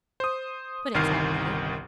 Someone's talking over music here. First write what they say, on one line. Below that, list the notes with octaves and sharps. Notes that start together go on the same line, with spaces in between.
But it's all right.
C5 D#6
G1 C2 D#3 F6 C7